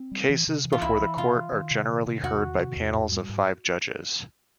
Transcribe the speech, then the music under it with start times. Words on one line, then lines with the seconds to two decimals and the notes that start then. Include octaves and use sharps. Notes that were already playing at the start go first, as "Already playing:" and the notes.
Cases before the court are generally heard by panels of five judges.
Already playing: C4
0.11 G3
0.29 E3
0.47 C3
0.64 E3
0.72 F4
0.82 C2 E4
1.00 E3
1.17 C3 F4
1.35 E3
1.52 D#3
1.71 C3
1.89 D#3
2.06 C3
2.23 E2 F#4
2.41 D#3
2.58 C3
2.76 E2
2.94 G#2
3.11 G3
3.29 G#2